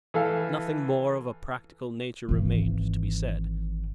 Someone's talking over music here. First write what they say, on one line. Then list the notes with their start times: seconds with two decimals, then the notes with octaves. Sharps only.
Nothing more of a practical nature remained to be said.
0.14 E3 A4 F5
2.29 G#1 E3